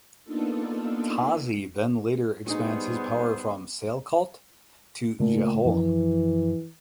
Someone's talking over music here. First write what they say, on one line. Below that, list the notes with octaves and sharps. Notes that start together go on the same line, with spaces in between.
Tazi then later expands his power from Sialkot to Jhelum.
A#3 B3 D4 D#4 F4 A4
G3 B3 D#4 F#4 G#4 C5
A#2 C#3 A3
F#2 E3 F3